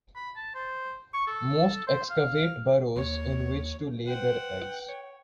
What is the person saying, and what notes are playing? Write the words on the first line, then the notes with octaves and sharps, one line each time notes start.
Most excavate burrows in which to lay their eggs.
B5
A5
C5
C#6
A4
C5
F5
D#2 C#5
B4 C5 F#5 G5
C#5